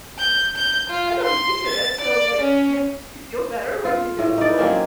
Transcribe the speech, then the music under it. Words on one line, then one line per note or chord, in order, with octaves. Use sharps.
I know, but you did it, so, like, you did you feel better when you did it, though?
G6
G6
F4
C6
A6
D5
C#4
F4
A2
D#4 D5
F#3 A#3 C4 C#4